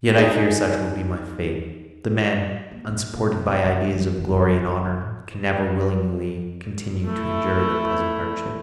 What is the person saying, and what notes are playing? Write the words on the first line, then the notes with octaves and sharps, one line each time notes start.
Yet I fear such will be my fate; the men, unsupported by ideas of glory and honour, can never willingly continue to endure their present hardships.
D#4 G#4
A#3
A#1
B2
B2
C#3
E3
F1
F2
D4
D3
A2
A3 E4